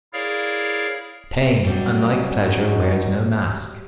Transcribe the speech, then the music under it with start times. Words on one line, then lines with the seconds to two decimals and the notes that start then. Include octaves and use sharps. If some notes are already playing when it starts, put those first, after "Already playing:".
Pain, unlike pleasure, wears no mask.
0.13 E4 G#4 A#4 C#5 D5 F5
1.64 F#3 G3 C#4 D#4 F#4